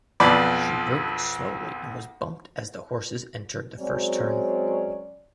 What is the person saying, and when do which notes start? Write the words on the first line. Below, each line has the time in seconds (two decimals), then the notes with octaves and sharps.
She broke slowly and was bumped as the horses entered the first turn.
0.20 B1 F2 F3 B4 D5
3.79 F#3 G#3 C4 C#4 D5